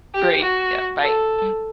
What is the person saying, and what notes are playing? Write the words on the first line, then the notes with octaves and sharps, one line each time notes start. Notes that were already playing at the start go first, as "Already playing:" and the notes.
Great. Yeah, bye. Mm
G4
F#4
A4